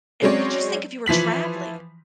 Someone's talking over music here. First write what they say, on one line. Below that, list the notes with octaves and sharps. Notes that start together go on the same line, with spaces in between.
and, uh, just think if you were traveling.
F#3 G#3 C4 C#4 C#5 D5
E3 F3 B6 F#7